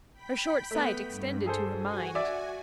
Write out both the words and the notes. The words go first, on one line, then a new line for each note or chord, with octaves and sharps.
Her short sight extended to her mind.
G5 B5 B6
A3 B3
G2
G#4 A4 C5
F#4 G#5
D5 E5